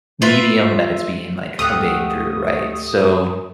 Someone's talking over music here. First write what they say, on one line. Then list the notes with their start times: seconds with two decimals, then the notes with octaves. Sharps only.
medium that it's being, like, conveyed through, right? So,
0.22 F4 B4 E5
1.59 D2 A2 A3 G4 F5 F#5 D#6